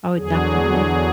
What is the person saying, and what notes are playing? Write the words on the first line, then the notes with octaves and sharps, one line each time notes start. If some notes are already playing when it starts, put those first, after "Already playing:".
Oh, definitely.
E2 D3 F#3 G#4